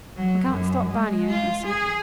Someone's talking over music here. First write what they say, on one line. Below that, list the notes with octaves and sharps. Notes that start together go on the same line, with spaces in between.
'I can't stop barneying,' I said.
F#3
F#2
G#3
F4
G#4